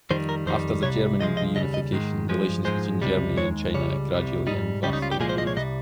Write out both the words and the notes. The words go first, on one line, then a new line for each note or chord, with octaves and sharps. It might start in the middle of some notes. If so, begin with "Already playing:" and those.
After the German reunification, relations between Germany and China gradually and vastly improved.
F2 D#3 G3 C5
A#4
F2 D#3 G3 C5
C2 C3 G3 C#5
C#2 C3 F3 G#3 D#5
D#5
D#2 C#3 G3 D#5
D#5
G#2 D#3 G#3
G2 F3 G#3
G#2 F3 G#3 C5
C#2 C3 G3
D#2 D#3 G#3 C#5
C#2 C#3 G3 C#5
C2 C3 G3
G#2 G3 D#4
C#2 C#3 G3 G4
D#4
F4
G4
C2 A#2 F3 G#3 G#4
C5
D#5
C#5
C2 C3 G3 D#5